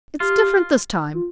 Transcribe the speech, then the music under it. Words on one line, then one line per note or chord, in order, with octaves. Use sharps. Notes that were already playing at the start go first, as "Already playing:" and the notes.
It's different this time.
F4 G4
F4